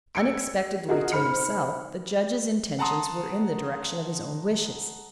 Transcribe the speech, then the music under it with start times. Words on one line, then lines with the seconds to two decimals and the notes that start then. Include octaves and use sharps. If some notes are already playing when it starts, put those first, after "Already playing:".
Unexpectedly to himself, the judge's intentions were in the direction of his own wishes.
0.15 E6 G#6 C#7 D7
0.88 F4 F#4 G#4 A#4 D#5
1.12 G#2 C5 B5 F6 C#7
2.79 F#5 A5 A#5 C6 D#6